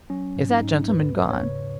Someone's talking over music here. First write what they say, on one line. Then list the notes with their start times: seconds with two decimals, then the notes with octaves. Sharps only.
Is that gentleman gone?
0.10 F#3 C#4
0.37 G#2
0.50 D#4
0.63 G#2
0.89 D#2 B4
1.17 C#3
1.30 C#5
1.43 C#3